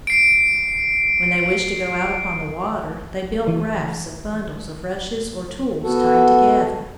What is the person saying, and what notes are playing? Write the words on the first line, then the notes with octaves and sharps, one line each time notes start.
When they wished to go out upon the water they built rafts of bundles of rushes or tules tied together.
C7 D7
E3
B3 F#4 A4